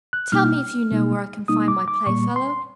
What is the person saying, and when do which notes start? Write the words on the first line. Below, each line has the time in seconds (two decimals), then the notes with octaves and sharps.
"Tell me if you know where I can find my playfellow."
0.13 F#6
0.32 B2 G3 A#3 D#4 F6
0.91 B2 G3 A#3 D#4
1.48 B2 G3 A#3 D#4 D#6
1.68 D6
1.88 D6
2.06 A#2 G3 A#3 C#6
2.36 C6